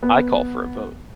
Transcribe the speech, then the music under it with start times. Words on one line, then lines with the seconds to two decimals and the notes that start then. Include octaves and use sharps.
I call for a vote.
0.03 B3